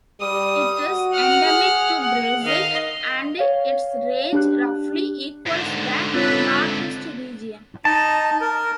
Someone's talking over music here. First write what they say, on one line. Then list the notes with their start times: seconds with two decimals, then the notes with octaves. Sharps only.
It is endemic to Brazil, and its range roughly equals the Northeast Region.
0.21 G3 D#6
0.82 F#4
1.12 F#5 F6
1.44 G#4
2.01 F#5
2.44 D#3 D#5 F5
3.39 C#5 F5
4.33 D4 G4 F#6
5.47 G#2 D3
6.14 C4 F4 A4 B4 C#5
7.85 D#4 D#5 A5
8.41 A#4